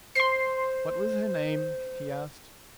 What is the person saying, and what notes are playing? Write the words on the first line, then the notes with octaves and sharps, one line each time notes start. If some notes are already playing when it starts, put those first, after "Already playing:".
"What was her name?" he asked.
C5 C6 C7